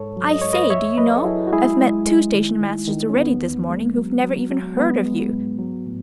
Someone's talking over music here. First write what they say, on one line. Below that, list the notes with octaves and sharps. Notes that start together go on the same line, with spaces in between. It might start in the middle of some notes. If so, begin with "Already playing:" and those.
I say, do you know, I've met two station-masters already this morning who've never even heard of you.
Already playing: G#2 A4 C#5
F#3
D#5
G#2 C#5
B4 D#5
E2 C#5 E5
F#3 B4 D#5
A4
F#3 E4 G#4
F#4
G#3 E4 G#4
G#3
G#3
D#3
D#3
D#3
C#4
E2 B3
E2
G#3
F#3
F#3
F#3
G#3 B3
G#3
G#2
F#3
A2